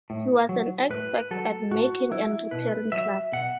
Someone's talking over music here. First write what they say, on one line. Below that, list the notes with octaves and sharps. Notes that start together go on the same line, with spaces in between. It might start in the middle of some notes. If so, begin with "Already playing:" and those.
He was an expert at making and repairing clubs.
A2
F#3
A2 B4
F#3 A4
A2 F#4
F#3 E4
B2 B4
F#3 E5
B2 F#5